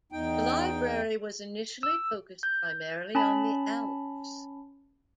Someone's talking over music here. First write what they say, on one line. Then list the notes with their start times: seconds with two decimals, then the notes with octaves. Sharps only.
The Library was initially focused primarily on the Alps.
0.12 E2 D#4 G5
1.83 E6
2.43 G6
3.15 C#4 A5 B5